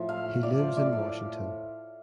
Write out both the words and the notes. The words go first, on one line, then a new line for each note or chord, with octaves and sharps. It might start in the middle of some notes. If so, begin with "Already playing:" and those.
He lives in Washington.
Already playing: A2 F3
A3 F5
A2
A2 D5
F3
A3 D5
A2